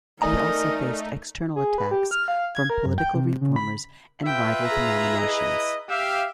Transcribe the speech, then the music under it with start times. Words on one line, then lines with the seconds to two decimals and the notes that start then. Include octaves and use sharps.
He also faced external attacks from political reformers and rival denominations.
0.22 A3 D#4 A#4 D5 D#5 G#5 A#5
1.56 G#4
1.78 B4
1.91 G4
2.11 F6
2.28 F5
2.55 G#6
2.70 A#4
2.86 F#2
2.98 G5
3.14 C3
3.41 C#3
3.56 B5
4.26 F4 B4 E5 G5
4.68 G#4 A#5
5.18 E4 B4 D#5
5.89 G4 E5 F5